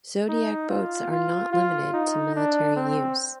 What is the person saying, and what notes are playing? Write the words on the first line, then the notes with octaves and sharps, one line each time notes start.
Zodiac boats are not limited to military use.
D#4
F4
F4
F4
D#4
D4
C4